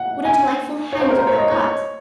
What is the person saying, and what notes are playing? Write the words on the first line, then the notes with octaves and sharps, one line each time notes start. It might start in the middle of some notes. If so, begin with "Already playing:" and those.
What a delightful hand you have got!
Already playing: F#5
G#5
C#5
C5
A#4
C5
C#5
D#5
C#5